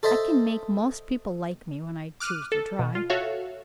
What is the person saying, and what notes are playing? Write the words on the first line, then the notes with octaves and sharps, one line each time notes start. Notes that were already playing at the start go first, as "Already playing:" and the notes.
I can make most people like me, when I choose to try.
A4 C5 D#5 E5 A5
D6 F6 F#6 D#7
A4
B2
F4
F#4 A4 C#5 E5 F5